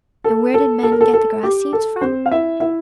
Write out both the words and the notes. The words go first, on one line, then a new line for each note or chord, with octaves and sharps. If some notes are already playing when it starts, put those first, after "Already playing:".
And where did men get the grass seeds from?
A4
A4
A4
A#4
A4
A4
G4
A4
C4 C5
F5
E4 E5
E4 E5